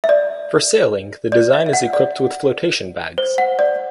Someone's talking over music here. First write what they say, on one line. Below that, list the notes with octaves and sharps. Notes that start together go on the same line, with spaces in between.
For sailing the design is equipped with flotation bags.
E5
D5
D5
E5
E5
F#5
D5
C5
F#5
D5